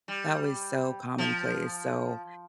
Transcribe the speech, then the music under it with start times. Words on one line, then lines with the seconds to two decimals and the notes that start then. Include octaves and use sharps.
that was so commonplace, so
0.08 G3
1.18 F3